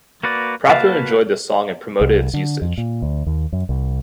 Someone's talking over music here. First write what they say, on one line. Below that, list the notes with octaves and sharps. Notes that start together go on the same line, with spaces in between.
Prather enjoyed the song and promoted its usage.
A#3 F#4 B4 D5
A#3 F#4 B4 F5 A5
C2
D3
F2
A#2
D2
D#2
F#2
C2